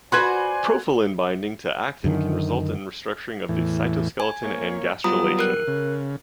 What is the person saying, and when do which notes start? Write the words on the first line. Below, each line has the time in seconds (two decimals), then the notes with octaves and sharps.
Profilin binding to actin can result in restructuring of the cytoskeleton and gastrulation.
0.12 F#4 B4 C5 D5 G#5 C6 F#6 G#6
2.04 F#2 D3 D#3
3.49 E2 A2 E3
4.20 G#5
4.43 A#3 C#5
5.04 F#3 G3 B3 F4 A#5 D#6
5.39 A#4 F#6
5.67 C#3